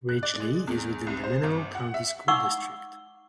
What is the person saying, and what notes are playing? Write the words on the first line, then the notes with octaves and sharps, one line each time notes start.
Ridgeley is within the Mineral County School District.
F#6
D5
G#3
E2
C2
C5
G1
F#5
E5
D#4 F#5 C#6 D6 E6